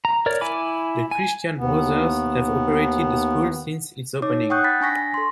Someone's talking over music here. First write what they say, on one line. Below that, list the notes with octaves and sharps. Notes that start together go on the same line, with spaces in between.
The Christian Brothers have operated the school since its opening.
A#5
A#4 C#5 D5
E4 G#5 B5 D6
G#5
D#2 B3
D#4 C#5 D6
F#5 G5 C#6 D#6 F#6 G6
B5 A6 B6
D4 G#5 C#6 A#6 B6
A4 C6